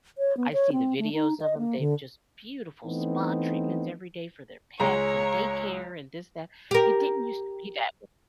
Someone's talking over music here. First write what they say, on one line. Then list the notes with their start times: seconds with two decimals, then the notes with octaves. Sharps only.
I see the videos of them, they've just beautiful spa treatments every day for their pets, and daycare, and this that, it didn't used to be that w
0.18 C#5
0.37 B3
0.53 C#5
0.73 C4
0.99 A3
1.13 D#4
1.41 D#5
1.58 A#3
1.79 D3
2.85 E3 A3 B3 C4 D#4
4.80 C#2 G#3 C#5 A#5
6.71 G4 A#4